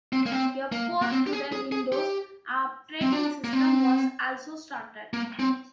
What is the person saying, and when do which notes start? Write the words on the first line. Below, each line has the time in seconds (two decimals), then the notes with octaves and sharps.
A port to the Windows operating system was also started.
0.13 C4
0.26 A#3
0.32 C4
0.72 A#3
1.02 A#3
1.12 C4
1.27 G4
1.33 G#4
1.52 G#4
1.72 G#4
1.92 G4
3.02 C4
3.12 D4
3.44 A#3
3.53 C4
5.14 A#3
5.39 C4